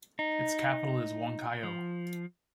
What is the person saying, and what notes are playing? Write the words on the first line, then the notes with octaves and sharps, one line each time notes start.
Its capital is Huancayo.
D#4
F3